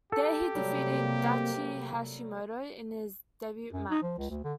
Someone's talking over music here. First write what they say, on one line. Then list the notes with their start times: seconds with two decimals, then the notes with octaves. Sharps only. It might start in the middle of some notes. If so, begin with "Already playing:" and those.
There he defeated Daichi Hashimoto in his debut match.
0.12 G4 A4
0.55 C3 F#3 G3 A3 A#3
3.73 F#2
3.90 D#4
4.02 F3
4.18 C#2
4.29 D2
4.44 D3